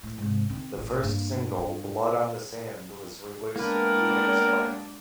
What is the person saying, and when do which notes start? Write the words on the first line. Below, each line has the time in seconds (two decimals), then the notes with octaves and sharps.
The first single, "Blood on the Sand", was released a few days later.
0.03 A2
0.18 G#2 C3
0.50 D#3 C4
0.77 A1
1.03 G2 A#3
1.58 G2
3.56 G#3 A#3 B3 D4 A#4 B4 F#5 G5